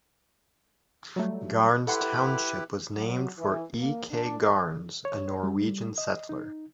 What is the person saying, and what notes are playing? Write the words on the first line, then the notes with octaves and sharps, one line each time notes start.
Garnes Township was named for E. K. Garnes, a Norwegian settler.
F#3 G3 A3
E4 G4 A4 B4 F#5 C6
F#3
E3
A#3
D4
C#5
G3
D#5
D#4